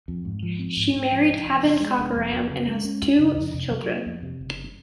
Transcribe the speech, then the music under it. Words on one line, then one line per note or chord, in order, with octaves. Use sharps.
She married Haven Cockerham and has two children.
F2
G#2
F3
C4
G#2
G#2
F3
F1
F2
C#3
G#3
F1
F2
F#2
C#3
G#3
C#4
F#2
C#3
F2
C3
F#3
A#3
F2
C3
F#1